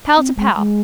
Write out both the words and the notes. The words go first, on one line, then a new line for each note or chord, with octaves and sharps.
Pal to pal.
C4
G#3
G#3